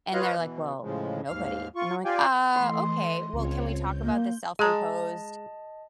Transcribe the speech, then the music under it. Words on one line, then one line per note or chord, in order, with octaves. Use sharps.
And they're like, "Well, nobody," and I'm like, "Ah, okay. Well, can we talk about the self-imposed
F4 B4 C#5 D#5 F5
B2 E3
A2 C#3 F3 G#3
D#2 G#2 F5 F6
F4 C#6
F4 G4 D5 F5 G5 G#5
E3 A3 D#5 C6
C#2 C4 F4 C#5
G6
A#3
G#3 G#4 D#5 A5 A#5